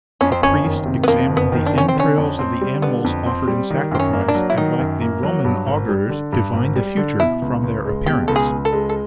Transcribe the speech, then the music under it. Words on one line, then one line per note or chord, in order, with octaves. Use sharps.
The priest examined the entrails of the animals offered in sacrifice, and, like the Roman augurs, divined the future from their appearance.
F2 C#4
C4
F#1 C#4
D#3
C3
B3
F2 A#3
F#1
B3
D#3
D4
C3 C#4
C4
D3 C#4
F2
C4
G3
D3 B3
F2
C4
G3
D#3
F#2 C4
C#4
A#3
D4
F#3
E4
D#3 D#4
F#2
A#3
F#3
G2
G#1
G3
D3
G2
G#1
G3
D3
B2 E4
C#2
C#2
G#3
B2 G4
C#2 A4
G#4
C#2
A4
G#3
A4